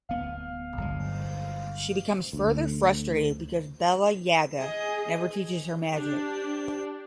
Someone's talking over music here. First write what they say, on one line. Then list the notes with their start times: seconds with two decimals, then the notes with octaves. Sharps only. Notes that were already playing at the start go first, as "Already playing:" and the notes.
She becomes further frustrated because Bella Yaga never teaches her magic.
0.09 D1 B3 F5
0.77 G1 F#3 G#3
2.33 D2
4.58 G#4 D#5
5.93 D4 G4